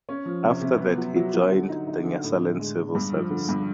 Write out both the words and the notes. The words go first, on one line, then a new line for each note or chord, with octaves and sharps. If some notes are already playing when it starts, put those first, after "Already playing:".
After that, he joined the Nyasaland civil service.
C#4
F3
C3
C3
B3
F#3
F#3
F#3
D3
D#4
D#4
D3
A2
A2
G#3
G#3
G2
F3
D3
G2